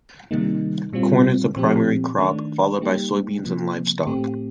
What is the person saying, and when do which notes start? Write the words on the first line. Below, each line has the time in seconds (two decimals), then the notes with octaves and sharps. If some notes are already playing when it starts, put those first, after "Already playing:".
Corn is the primary crop, followed by soybeans and livestock.
0.31 C3 D#3 G3 A#3 D#4
0.93 A#2 G3 C4 F4
1.56 A#2 F3 C4 G4
2.19 D#3 A3 D4
2.81 G3 A#3 D#4 G4
3.44 C3 F3 A#3
4.07 A2 A3 C4 G4